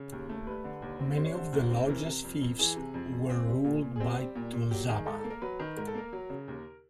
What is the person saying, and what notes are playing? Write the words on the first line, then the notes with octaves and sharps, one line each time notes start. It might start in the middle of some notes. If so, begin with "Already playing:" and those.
Many of the largest fiefs were ruled by "tozama".
Already playing: C#3
D#2
A3
G3 B4
D3
D#2
C4
G3 C5
C#5
D3 C5
D#2
C4
E3 A#4
C3
F2
F2
E3 G#4
C3
F2
F2
C4
G3
A#2
A#2
G#4
C4 G4
G3
A#2
A#2
F#3 G4
D#3 G#4
G#2 A4
A#3 A4
A#4
F#3 B4
D#3
G#2 A#4
A4
A#3 A#4
F#3
C#3
D#2